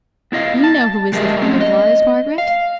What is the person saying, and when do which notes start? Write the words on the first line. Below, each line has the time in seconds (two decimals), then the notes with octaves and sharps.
You know who is the father of lies, Margaret?
0.32 B3 E4 D#5 F5
0.64 A5
1.12 G#3 G4 G#4 A#4 D#5 E5
1.42 A3 C4 C#4 C#5
1.60 D#5
2.38 F5